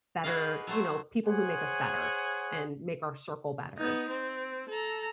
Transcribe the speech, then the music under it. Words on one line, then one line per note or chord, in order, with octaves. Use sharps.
better you know, people who make us better, and make our circle better,
F#4 G#4 B4 D5 D#5 F5
F#3 A3 C5
G#4 C5 C#5 F#5 G#5
B3 D#4
C4
A4 A#5